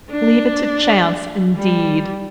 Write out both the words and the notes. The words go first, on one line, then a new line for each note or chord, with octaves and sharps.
Leave it to chance indeed!
D4
G3